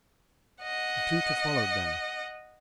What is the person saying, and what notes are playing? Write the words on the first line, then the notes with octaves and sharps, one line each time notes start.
The tutor followed them.
D#5 F#5